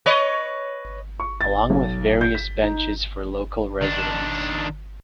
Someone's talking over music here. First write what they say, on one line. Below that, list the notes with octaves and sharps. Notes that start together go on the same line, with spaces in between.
Along with various benches for local residents.
B4 C#5 D#5
C#6
A6
B1
G6
B6
D#4
D#3 D4